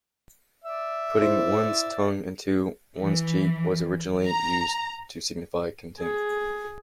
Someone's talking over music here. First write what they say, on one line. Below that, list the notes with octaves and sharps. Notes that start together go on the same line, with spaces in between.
Putting one's tongue into one's cheek was originally used to signify contempt.
D5 E5
E4 C5
E3
A#5
G#4